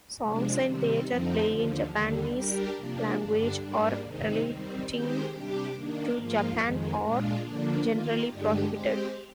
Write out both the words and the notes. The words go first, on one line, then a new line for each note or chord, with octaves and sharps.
Songs and theater play in Japanese language or relating to Japan are generally prohibited.
C3 F3 G#3 D4
C3 D#3 G3 C4
F2 D3 F3 C4 D#4
D#2 D3 F3
D#2 D3 G3
G3 D4 G4 A#4
C3 F3 A#3 D4
G2 D3 G3 D4
G#2 G3 A#3 D4
C3 D#3 G#3 C4 D#4
D#3 G3 C4
D#3 G#3 C4 G4 C5
C3 G3 D4 G4 D5
D#3 A#3 D4
G#2 F3 A#3 F4
F2 D#3 G#3
A#2 G#3 D4 F4
D3 F3 A#3 D4
D#3 A#3 F4
G2 D3 G#3 D4 G4
G#3 C4 G4 C5